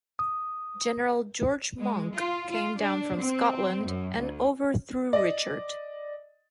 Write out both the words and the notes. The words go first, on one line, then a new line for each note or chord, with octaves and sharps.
General George Monk came down from Scotland and overthrew Richard.
D#6
G#3
F4
F4
D4
C4
F#2
D2
D5 D#5